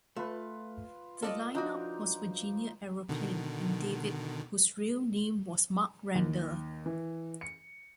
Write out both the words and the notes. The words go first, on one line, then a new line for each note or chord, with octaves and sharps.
The line-up was "Virginia Aeroplane" and "David", whose real name was Mark Randall.
A3 F4 B4
A4 D5 D#5 F5
F3 D4 D#4 F#4 D6
B2 D3 D#3
D#2
E3
C#7